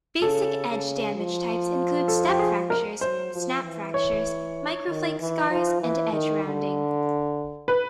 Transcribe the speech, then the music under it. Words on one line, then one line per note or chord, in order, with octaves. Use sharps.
Basic edge damage types include step fractures, snap fractures, micro-flake scars, and edge rounding.
C#3 A4
C#3
F3
A4
G4
G#4
A#4
F#3 C5
F3
E3
C#5
D#3
E3
F3
E3
D#3
D3
B4